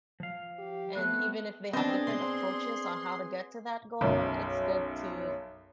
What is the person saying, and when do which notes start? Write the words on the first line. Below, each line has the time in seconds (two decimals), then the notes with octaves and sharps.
and even if they have different approaches on how to get to that goal, it's good to
0.20 F3 F5
0.59 G4
0.95 A3 B3 C4 F#6
1.73 B3 C4 D4 G#4 D#5
2.07 B3 C4 C6
4.01 B1 F#2